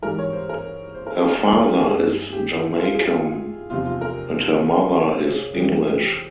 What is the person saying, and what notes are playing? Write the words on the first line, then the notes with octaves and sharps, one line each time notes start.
Her father is Jamaican and her mother is English.
G#2 E3 G3 A#4
C#5
C5
A#4
C5
A#4
G#4
A#4
G2 G3 G#4
G4
E4
E4
F4
G#4
F4
E2 C3 F3 F4
F4
A#4
C#5
C5
G#4
F2 E3 G3
G4